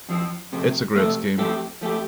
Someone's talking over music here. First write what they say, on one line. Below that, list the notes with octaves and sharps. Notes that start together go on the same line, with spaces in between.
It's a great scheme.
F2 F3 C4
F2 C3 A3 C4
F2 C3 A3 C4
F3 A3 C4 G4
F3 A3 C4 G4